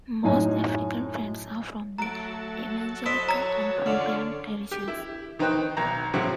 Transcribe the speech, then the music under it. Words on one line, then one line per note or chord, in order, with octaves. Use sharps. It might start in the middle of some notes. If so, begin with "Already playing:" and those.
Most African Friends are from the evangelical and programmed traditions.
F#2 A2 D#4 C#5 G#5
F#3 A3 A4 A#5 D7
E4 C5 D#5 E5
C#5 A#5
D3 C#4 D4 F4
G4
E4
D#3 D#4 B4 C5 G5 F#6
B1 A#5
A2 C#3 F#3 C4 E4